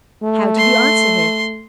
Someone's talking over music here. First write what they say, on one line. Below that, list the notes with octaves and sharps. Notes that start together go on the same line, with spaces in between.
How did he answer her?
A3
C6